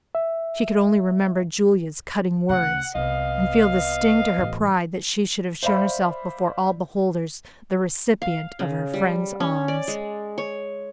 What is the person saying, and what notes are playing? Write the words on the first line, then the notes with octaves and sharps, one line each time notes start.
She could only remember Julia's cutting words, and feel the sting to her pride that she should have shown herself before all beholders the recipient of her friend's alms.
E5
D2 C#3 F#5
C2 B3 D#5 F5
A1 E3
C5 D5 E5 F5 B5
F5
C#3
G3
C#4
D5
G#3
C#5